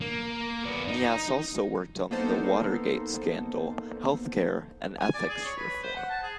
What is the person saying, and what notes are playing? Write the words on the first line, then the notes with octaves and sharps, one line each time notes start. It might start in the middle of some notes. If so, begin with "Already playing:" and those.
Neas also worked on the Watergate scandal, health care, and ethics reform.
A#3
B3 D5
D#4
A#3 B3 D#4 A4 C5
G#5
D5
G#4
C#5
B4
C5
F#5
A5
G#4